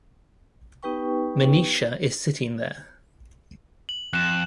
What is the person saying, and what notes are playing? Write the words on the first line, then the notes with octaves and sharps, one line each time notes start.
Manisha is sitting there.
B3 D#4 G4 B4 G5 C#6
F#7
F2 F#6 E7